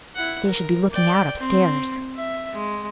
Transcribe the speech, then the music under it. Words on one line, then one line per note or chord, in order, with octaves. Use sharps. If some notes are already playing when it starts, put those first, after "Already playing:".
"If they should be looking out upstairs!"
E4 F#5
A#4
D5 G5
C4
E5
G#3